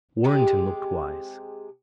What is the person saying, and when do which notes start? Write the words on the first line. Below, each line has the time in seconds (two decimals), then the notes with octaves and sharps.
Warrenton looked wise.
0.24 C3 G#3 G4 G#4